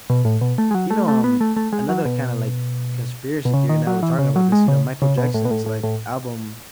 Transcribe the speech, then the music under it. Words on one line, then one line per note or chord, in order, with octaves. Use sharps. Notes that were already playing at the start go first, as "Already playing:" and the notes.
You know, um, another kinda, like, conspiracy theory, now we're talking about this, you know, Michael Jackson's, like, album,
B2
A2
B2
A3
G#3
F#3
A3
A3
B3
A3
A3
G#3
F#3
B2
B2
C#3
D#3
F#3
E3
C#3
F#3
G#3
C#3
C#3
B2
A2
B2
A2
A2
A2